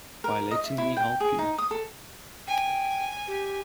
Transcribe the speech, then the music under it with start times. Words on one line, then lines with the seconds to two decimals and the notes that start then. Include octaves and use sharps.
By letting me help you.
0.24 A#4
0.51 D#5
0.64 E5
0.78 E4
0.97 G5
1.20 G#4
1.39 D#4
1.58 D#6
1.71 A4
2.47 G5 G#5
3.28 G4